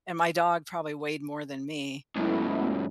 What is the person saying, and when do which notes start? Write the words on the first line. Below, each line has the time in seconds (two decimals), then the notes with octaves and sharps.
and my dog probably weighed more than me,
2.16 C#2 F#2 A3 B3 E4